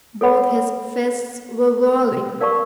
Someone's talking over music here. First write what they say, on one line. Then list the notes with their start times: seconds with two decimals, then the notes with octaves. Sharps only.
Both his fists were whirling.
0.21 A4 C#5 F#5 B5
2.41 A#4 D5 F5 A5 C#6